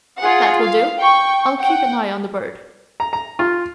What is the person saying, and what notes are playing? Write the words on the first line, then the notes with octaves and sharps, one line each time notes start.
"That will do; I'll keep an eye on the bird."
F4 G#4 F#5
F5
G5 C#6
F#5 G5
A#5
A#5
F4